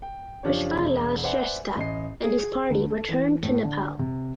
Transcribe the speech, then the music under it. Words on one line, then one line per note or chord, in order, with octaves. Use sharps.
Pushpa Lal Shrestha and his party returned to Nepal.
G5
F#1 F3 D4 G4 C#5
E1
B4 C5 D5 E5 F#5 G#5
A1 D#5 C7
G#4
D2
A4
E3
A2
D3
C3